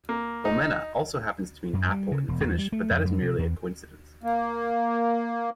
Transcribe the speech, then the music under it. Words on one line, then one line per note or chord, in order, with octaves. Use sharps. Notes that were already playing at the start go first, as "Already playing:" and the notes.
"Omena" also happens to mean "apple" in Finnish, but that is merely a coincidence.
A#3
D#4
F#2
G3
C#3
E1
E2
G3
A3
F2
F2
C3
E2
A#3